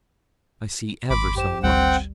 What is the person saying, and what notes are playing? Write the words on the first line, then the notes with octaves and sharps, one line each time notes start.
I see ever so much.
G#1 B5 C6 D6
F#2 G4 C5 E7
G#1 D2 G3 C4 F#5 G5